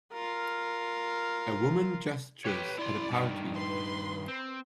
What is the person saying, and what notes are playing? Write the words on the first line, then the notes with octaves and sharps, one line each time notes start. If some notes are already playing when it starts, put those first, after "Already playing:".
A woman gestures at a party.
F4 A#4
G4 B4 C#5
E4 D5 C6
G2 D#3
B4 C6
C4